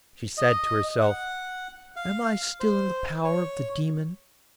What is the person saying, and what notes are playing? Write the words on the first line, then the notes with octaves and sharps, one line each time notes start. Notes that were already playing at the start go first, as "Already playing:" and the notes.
She said to herself, 'Am I still in the power of the demon?
D#5
F#5
F5
C5
C#5